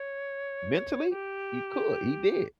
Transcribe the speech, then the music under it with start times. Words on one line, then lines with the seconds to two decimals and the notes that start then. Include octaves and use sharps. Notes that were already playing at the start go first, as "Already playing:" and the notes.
mentally, he could, he did
Already playing: C#5
1.10 G4